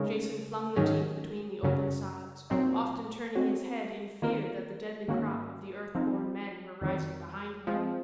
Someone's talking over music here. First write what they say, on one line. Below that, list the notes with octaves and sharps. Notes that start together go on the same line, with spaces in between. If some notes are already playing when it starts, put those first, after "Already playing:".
Jason flung the teeth between the open sods, often turning his head in fear that the deadly crop of the Earth-born Men were rising behind him.
Already playing: C#3 G#3 D#4 A#4 C#5
G#2 D#3 F#3 C#4 G#4
F#2 C#3 F#3 C#4
A#2 F#3 C4 D#4
G#3 C4 F#4 C#5
D#3 A#3 F4 A#4
G#2 D#3 A#3 C#4 F#4
F3 C4 D#4
F2 D#3 F#3
F3 G#3 C4